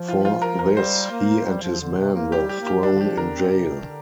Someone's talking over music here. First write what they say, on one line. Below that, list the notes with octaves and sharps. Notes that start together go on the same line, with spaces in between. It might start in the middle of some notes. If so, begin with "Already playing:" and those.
For this he and his men were thrown in jail.
Already playing: F3
F4
F4
A#4
A#4
G3 C5
A#3
G3
F3
D3
C3
A#3
G4
G3
G4
A#3
G4
F3
G3 D4
D3
F3 G4
D3 A#4
C4
C3
D3